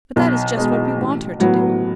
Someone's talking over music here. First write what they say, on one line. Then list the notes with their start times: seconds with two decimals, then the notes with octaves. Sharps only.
But that is just what we want her to do.
0.16 B1
0.57 B2 G#3
0.98 A1
1.40 A2 F#3 B3